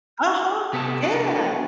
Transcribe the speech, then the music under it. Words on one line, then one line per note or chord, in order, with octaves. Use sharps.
Uh-huh, yeah.
C3 B3 G4 A4 C#5 A5
B3 D4 F#4 A4